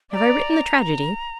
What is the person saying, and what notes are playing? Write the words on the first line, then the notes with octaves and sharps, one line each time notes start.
Have I written the tragedy?
D5 A#5